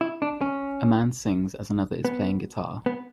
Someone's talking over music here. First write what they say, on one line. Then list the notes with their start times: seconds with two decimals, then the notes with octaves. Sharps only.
A man sings as another is playing guitar.
0.01 E4
0.22 D4
0.41 C#4
2.05 B3
2.86 B3